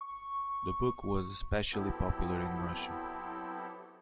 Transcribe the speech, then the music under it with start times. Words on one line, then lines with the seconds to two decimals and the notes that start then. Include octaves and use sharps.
The book was especially popular in Russia.
0.01 C#6
1.72 F#3 B3 C4 E4 G4 A4